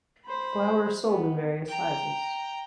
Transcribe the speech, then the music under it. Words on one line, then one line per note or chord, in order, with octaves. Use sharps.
Flour is sold in various sizes.
C5 B5
B3
G5 A#5